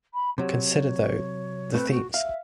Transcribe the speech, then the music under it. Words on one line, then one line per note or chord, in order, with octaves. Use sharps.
Consider though, the themes.
B5
C3 F#3 C#5
A3 C4 B4
F#4
E5 F5